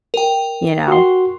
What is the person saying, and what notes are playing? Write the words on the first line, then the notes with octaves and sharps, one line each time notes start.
You know?
A#4 G5
F#4 C6